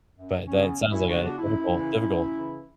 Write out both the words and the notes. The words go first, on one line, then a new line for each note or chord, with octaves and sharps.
but that sounds like a difficult, difficult
F#2
C#3 F#3 B3 C#4
F#2
C#4 E4
C#3 F#3 B3 D4 F#4
D4 F#4
F#2 C#4 E4
C#3 E3
F#2
C#3 E3